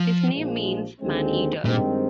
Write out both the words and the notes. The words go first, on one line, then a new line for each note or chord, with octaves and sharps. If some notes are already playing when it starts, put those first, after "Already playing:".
His name means "man eater".
Already playing: F3
A#1 A#2 F3 G#3
D#2 D3 G#3 C4
G2 A#2 D#3 G#3 C4